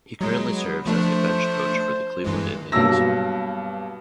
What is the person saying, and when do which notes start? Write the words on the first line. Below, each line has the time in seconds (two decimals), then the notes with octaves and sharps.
He currently serves as a bench coach for the Cleveland Indians.
0.21 F#3 G#3 D#4
0.55 B3
0.86 F3 A3 D4 C5
2.24 G2 E3 G#3
2.72 G2 B2 F#3 A#3 E6 A#6